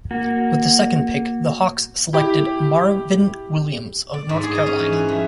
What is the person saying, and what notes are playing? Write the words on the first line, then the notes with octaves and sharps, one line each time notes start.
With the second pick, the Hawks selected Marvin Williams of North Carolina.
A#3 F#4
E4 G4
D5
G#2
G#4
D#5
C#4
E3
E4
F2